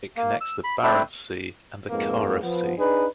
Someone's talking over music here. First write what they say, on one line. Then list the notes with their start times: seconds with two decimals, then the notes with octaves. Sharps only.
It connects the Barents Sea and the Kara Sea.
0.17 A#3
0.41 E6
0.64 B5
0.83 A3 C4 D4 E4
1.90 F2 G#2 A#3 B3
2.42 F3 B3
2.78 D4 D#4 G#4 B4